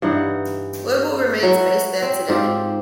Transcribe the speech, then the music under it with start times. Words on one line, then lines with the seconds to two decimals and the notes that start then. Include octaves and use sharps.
Global remains based there today.
0.02 G2 E3 D#4 F#5
1.43 F#3 E4 F#4 E5
2.02 C4
2.29 G#2 C4 F4 G4